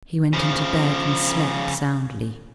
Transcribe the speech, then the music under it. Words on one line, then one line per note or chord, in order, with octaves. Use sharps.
He went in to bed and slept soundly.
C#3 F3